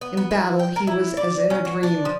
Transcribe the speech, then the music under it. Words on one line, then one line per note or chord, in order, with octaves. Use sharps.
In battle he was as in a dream.
B3
B3
E4
G5
A#4
E4
D5
C#4
F#4
D4
F3